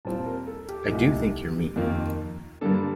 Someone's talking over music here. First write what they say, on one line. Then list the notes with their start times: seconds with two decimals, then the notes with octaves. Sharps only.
I do think you’re mean.
0.05 A#2 G3 C4 F4 A5
0.26 A#4
0.47 A4
0.69 G4
0.90 C2 A#2 A3 D#4
1.76 F2 D#3 A#3 F4
2.61 G2 D3 G3 A#3 D4 A4